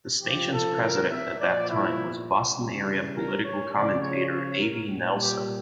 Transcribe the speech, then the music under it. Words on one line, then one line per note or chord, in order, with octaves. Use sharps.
The station's president at that time was Boston-area political commentator Avi Nelson.
C#3 F3 G4
A4
A#4
E5
A#2 F3 D5
E4
C#3 E3 G3
A#4
C#5
C#3 F3 D5
C#5
C#5
A#4
A#2 G3
G4